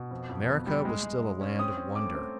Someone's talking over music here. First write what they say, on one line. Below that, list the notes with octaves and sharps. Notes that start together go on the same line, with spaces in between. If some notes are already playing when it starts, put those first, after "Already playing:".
America was still a land of wonder.
Already playing: B2
F2
F2
B3
G3
G#3
G#3
G#3
C#4
C4 D#6
C4
A3 D6
C4